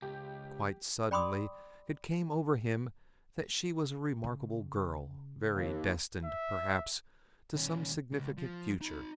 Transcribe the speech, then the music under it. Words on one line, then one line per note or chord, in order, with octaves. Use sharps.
Quite suddenly it came over him that she was a remarkable girl--very--destined, perhaps, to some significant future.
C#2 G4
D5 G5 B5 C6 D6 D#6
C#3
D#2
E5
D#2 C#4
C#2
F3
D#4 B5